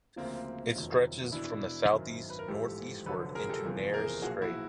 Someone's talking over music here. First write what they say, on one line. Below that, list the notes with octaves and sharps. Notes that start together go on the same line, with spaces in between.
It stretches from the southwest northeastward into Nares Strait.
D2 C#3 F3 A#3 C4
F1 F2 C3 D#3 F#3
E1 E2 B2 D4 E4
G#1 F#2 D#3
B4
A#4
A1 G#2 F3 G4 A4
F1 F2 D3 F#3 A4 B4
G#4 A#4
G4 A4
F#1 E2 C3 F3
G#4 A#4
B1 A#2 F3 F#4 G#4
E4 F#4